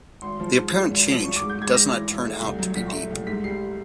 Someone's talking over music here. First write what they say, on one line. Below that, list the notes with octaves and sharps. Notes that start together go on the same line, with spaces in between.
The apparent change does not turn out to be deep.
G#1 C6
F3
G#2
G#2
G#1
F3
G#1 C#6
D6
G#2
G6
G#2 G#6
G#2 A#6
E3
G#1
A3
C2
F#3
A#2 B6
A3
C2
G#2 B6
G3 C7